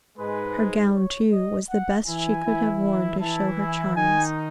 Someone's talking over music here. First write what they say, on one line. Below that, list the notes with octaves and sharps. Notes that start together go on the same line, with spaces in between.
Her gown, too, was the best she could have worn to show her charms.
G#2 G#3 B4
C#5
D#5
F#5
E3 E4 G#5
E3 E4
E3 E4 A5
G#5
D#3 D#4 G#5